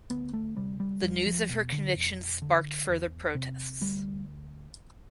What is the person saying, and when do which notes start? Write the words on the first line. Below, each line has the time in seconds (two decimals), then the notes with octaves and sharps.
The news of her conviction sparked further protests.
0.10 D2 B3
0.33 A3
0.56 C3 G3
0.80 G3
1.03 E2 G3
1.26 F3
1.50 B2
1.72 D3
1.96 F2
2.42 D3
2.89 E2
3.35 C3
3.81 D2 G3